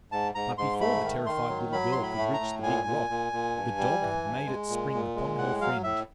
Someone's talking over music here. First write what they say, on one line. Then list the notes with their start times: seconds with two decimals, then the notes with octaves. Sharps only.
But before the terrified little girl could reach the big rock, the dog had made its spring upon her friend.
0.12 G#2 A5
0.35 G#2 A#5
0.58 G#2 C6
0.81 A3 B5
1.03 D#3
1.26 D#3 C6
1.49 F#3
1.72 F#3 B5
1.92 A2 C6
2.03 B5
2.18 A3
2.34 A#5
2.41 A2
2.63 A#2 G#5
2.87 A#2
3.10 A#2
3.33 A#2
3.56 G2
3.78 G3
4.01 E3
4.24 G2
4.47 G#3
4.69 A#2
4.93 A#2
5.16 G#3
5.38 A2 F#5
5.61 F#3 F5
5.84 A2 E5